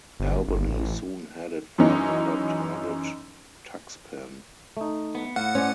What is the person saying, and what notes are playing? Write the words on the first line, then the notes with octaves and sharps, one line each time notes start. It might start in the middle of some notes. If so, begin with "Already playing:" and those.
"Albany" soon headed for another target-Tuxpan.
G1
G1
A1
F#2 E3 C#4 D#4
A3 D#4
B3
A2 F5 F#5
C#4 C5 D5